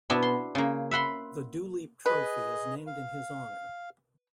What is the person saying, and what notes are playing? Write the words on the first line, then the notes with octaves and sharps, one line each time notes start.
The Duleep Trophy is named in his honour.
B2 B3 D4 E4
C6
C#3 A#3
E5 F#5 B5 C6
G#4 B4 D#5
F5